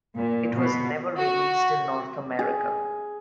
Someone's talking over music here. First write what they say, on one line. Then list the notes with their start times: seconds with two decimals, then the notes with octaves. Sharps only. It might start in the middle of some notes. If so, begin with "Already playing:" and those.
It was never released in North America.
0.16 A#2
0.54 B2
1.18 F#4
2.39 G#4